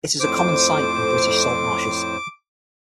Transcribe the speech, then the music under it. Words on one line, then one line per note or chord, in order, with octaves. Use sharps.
It is a common sight in British salt marshes.
F2 A2 C5 D6